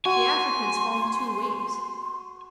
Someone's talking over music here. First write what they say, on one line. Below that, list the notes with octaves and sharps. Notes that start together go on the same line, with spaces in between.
The Africans formed the two wings.
F#4 G#5 C6